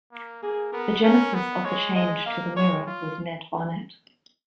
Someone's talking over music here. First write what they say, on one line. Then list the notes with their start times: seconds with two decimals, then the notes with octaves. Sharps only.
The genesis of the change to The Mirror, was Ned Barnett.
0.13 A#3
0.43 A#3 G#4
0.73 B3 A#4
1.04 C#4 A#4
1.34 B3
1.65 G#3 C#5
1.95 G#3 D#5
2.26 A#3 F5
2.56 G#3 C#5
2.86 F4